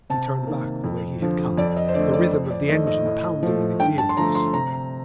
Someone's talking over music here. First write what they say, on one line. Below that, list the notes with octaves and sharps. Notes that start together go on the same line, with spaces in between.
He turned back the way he had come, the rhythm of the engine pounding in his ears.
C3 A5
D#3 A#3
F2
D3 F3
F2 D5
D#5
C5
D3 A3 D5
D5
F2 C5
D5
D#3 A3 D#5
D#5
A2
F3 A3
G2 G5
A5
C6
D3 F3 A3 A#5
C6
C3 A#5